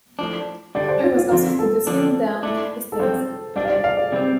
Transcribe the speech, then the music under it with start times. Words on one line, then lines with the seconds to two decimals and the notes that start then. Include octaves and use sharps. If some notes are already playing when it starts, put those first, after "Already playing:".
I was asked to descend down the stairs.
0.19 A2 F3 D4
0.75 G2 D3 G3 D4 D5
0.89 C5
1.04 F4
1.17 F4
1.31 D3 F3 C4 F4
1.59 A4
1.87 F2 D3 F3 D4
2.43 A2 A3 D4
2.92 A4
2.99 G2 F3 C4 C5
3.56 G2 G3 D4 D5
3.65 F5
3.70 D5
3.84 F5
3.97 D5
4.12 C3 G3 C4